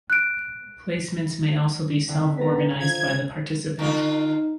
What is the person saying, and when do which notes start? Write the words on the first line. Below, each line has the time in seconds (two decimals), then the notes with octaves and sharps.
Placements may also be self-organised by the participant.
0.10 F#6 D7
2.08 D3 C4 E4
2.37 B3 A#5 A6 B6
2.80 F3 G#6
3.79 D3 D#4 F4